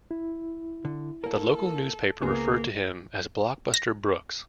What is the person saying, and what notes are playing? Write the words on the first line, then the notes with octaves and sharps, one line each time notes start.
The local newspaper referred to him as "Blockbuster Brooks".
E4
D3
A#3 A4 A#4
C#2 A#3 B3 G#4 A#4
A#6